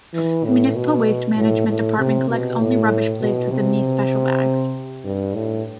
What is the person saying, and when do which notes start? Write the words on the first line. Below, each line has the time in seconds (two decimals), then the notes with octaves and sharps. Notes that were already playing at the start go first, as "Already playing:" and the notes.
The municipal waste management department collects only rubbish placed within these special bags.
0.14 E3
0.45 A2
0.76 B2
1.37 A2
1.68 A2
1.98 C3
2.29 B2
2.60 A2
3.21 B2
3.51 C3
5.04 G2
5.35 A2